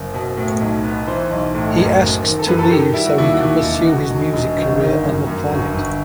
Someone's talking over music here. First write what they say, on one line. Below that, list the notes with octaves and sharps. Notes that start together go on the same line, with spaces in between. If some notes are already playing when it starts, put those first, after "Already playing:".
He asks to leave so he can pursue his music career on the planet.
Already playing: F#1 C5
B2
A2
B1
B3
E3 C5
B1
A2
F#2
F#1
D#3
A4
F#2 B4
A4
D#3 G4
G3 E4
F#4
D#2 E4
F#4
D#2 E4
E1
E1 F#4
E1
E1
G1
D#3
F#2
F#2
G1
G1